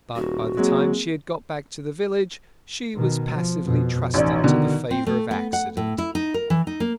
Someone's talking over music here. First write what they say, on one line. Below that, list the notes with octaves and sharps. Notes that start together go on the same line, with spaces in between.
But by the time she had got back to the village she was passively trusting to the favour of accident.
D#1 F#4
F#3 G#3 A#3 C4
B2 D#3
F3
F2 B2
A1 E3 D#4 D5
B2 D3 D#3
C4
A3
B3
F#5
A2
E4
D#4
A#4
E3
D#4
A#3